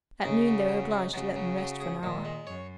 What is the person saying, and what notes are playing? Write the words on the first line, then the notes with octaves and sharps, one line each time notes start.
At noon they were obliged to let them rest for an hour.
C#3 D#4
F#3
F#3
D#4
C#3 F#3
F#3
F#3
G#4
A#2 D#3
G#3
F#2 C#5